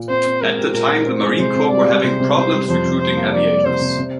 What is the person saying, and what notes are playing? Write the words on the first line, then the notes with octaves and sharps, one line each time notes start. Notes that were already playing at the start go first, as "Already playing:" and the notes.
At the time, the Marine Corps were having problems recruiting aviators.
Already playing: A#2
C4 C5
C4
G#3 A#4
G4
A#2 A#4
A#2
C4
G#3
C3 C5
C3
G3 D5
G3
C3 C5
C3
C3 C5
G3
F2 C5
C3
G3 C5
A#3
F2 D5
G3
C3 C5
C3
C3